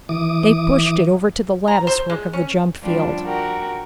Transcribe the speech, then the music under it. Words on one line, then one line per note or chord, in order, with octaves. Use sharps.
They pushed it over to the latticework of the jump-field.
E3 D6 D#6
A#5
C5
G#3
C#4
F3 G3 D4
F#4 G4 A#4